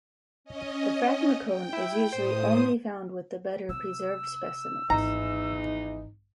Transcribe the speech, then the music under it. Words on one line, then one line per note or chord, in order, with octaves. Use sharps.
The phragmocone is usually only found with the better preserved specimens.
C#4 D#5
G5
E4
A2 C5 D#6
C3 E6
G#1 E2 E3 D#4 A#5